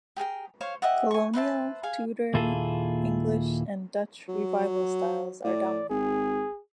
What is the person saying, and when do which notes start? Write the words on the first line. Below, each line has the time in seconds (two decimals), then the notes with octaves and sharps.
Colonial, Tudor, English and Dutch Revival styles are dominant.
0.16 G4 G#4 A#4 G5
0.61 C5 C#5 F5
0.82 G4 D#5 E5 F#5
1.11 G#5 C#6
1.33 B4 C5 E5 A5
1.83 G#4 F5 G#5
2.34 D#2 A#2 E4 F4 G#4 A4
4.28 F#3
5.44 A2 D5
5.90 G#1 G#4